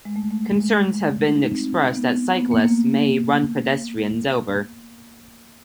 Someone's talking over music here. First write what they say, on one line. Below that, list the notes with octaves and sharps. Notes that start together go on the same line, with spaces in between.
Concerns have been expressed that cyclists may run pedestrians over.
G#3
A3
A3
A3
G#3
A3
D#4
C4
B3
B3
A#3
A#3
A3